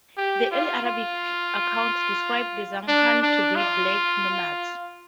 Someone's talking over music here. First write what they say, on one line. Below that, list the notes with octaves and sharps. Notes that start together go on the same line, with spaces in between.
The early Arabic accounts describe the Zaghawa to be "black nomads".
G4
F4
F4
D4
D4
F4